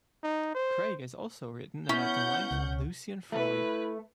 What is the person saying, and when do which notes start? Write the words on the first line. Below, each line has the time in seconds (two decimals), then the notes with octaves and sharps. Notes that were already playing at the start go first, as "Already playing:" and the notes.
Greig has also written about the life of Lucian Freud.
0.23 D#4
0.55 C5
1.89 B3 C#4 E4 F#5 G6
2.51 C#2
3.32 A3 E4 B4